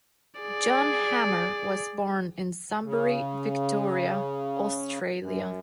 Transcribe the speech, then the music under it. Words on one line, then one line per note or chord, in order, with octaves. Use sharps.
John Hammer was born in Sunbury, Victoria, Australia.
G#4 D5
C#3
F#2